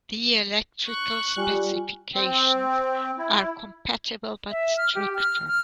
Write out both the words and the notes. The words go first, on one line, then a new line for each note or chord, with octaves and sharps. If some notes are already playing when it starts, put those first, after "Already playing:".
The electrical specifications are compatible, but stricter.
C#6 F#6
G3 F4 G#5
C4
E4
E5
F6
G4
F6
F6